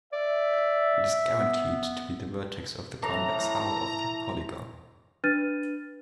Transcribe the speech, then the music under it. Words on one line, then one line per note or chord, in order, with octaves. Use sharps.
It is guaranteed to be the vertex of the convex hull of the polygon.
D5 E5
B3
A2 E3 A5 A#5
D4 B4 F6 A6 D#7